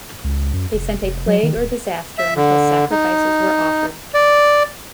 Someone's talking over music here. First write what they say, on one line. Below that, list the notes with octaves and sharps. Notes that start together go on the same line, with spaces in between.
They sent a plague or disaster until sacrifices were offered.
C#2
F#2
F1
F1
F#3
D#3
D1
E5
D3
D#4
D5